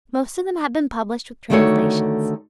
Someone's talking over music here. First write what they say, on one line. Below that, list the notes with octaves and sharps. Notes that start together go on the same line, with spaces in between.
Most of them have been published with translations.
D3 D#3 A3 F#4 A4 C#5